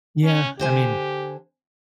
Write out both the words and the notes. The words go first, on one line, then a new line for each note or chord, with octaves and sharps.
Yeah, I mean
C#4
D3 G4 C5 G#5